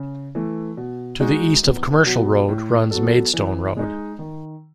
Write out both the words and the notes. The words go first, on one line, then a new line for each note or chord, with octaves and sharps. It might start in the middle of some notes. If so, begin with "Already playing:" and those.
To the east of "Commercial Road", runs "Maidstone Road".
Already playing: C#3
E3 A3
B2
G#3 D#4 F#4
E2
B2 F#3
A2
F#3 B3 F#4 A4
E3
G#3 D#4
D#3